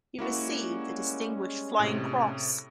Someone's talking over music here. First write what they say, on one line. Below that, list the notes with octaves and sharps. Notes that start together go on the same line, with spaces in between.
He received a Distinguished Flying Cross.
G3 G#3 A#3 C#4 E4 F#4
A2 C3